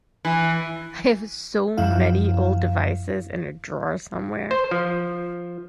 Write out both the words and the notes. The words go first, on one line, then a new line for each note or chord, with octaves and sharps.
I have so many old devices in a drawer somewhere.
E3
F#2 F3 E4 F5
C5
F3